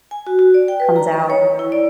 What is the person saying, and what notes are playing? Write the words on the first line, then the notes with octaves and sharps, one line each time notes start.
comes out.
G#5
F#4
F#4
D5
G5
B4
A#5
C#6
C#5
E4
D5